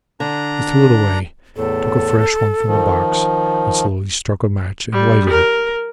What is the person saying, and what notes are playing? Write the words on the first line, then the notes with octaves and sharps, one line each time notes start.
He threw it away, took a fresh one from the box, and slowly struck a match and lighted it.
D3 D4 A#5
E2 A2 A4
D#3 F3
G3
A#4